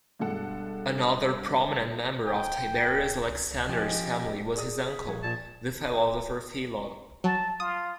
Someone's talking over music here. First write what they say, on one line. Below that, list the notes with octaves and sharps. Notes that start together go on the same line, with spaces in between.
Another prominent member of Tiberius Alexander's family was his uncle, the philosopher Philo.
G2 B2 G#3 A4 F#5
G5
F3 C#4 G4 D#5 G5 G#5
G#4 D5 D#6
B6
A#1 C#6 G#6
A#2 A5 G#6
F#3 A5
F4 D#6